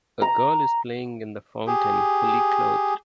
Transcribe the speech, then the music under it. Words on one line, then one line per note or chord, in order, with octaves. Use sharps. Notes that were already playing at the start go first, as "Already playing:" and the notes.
A girl is playing in the fountain fully clothed.
A#5
G4 G#4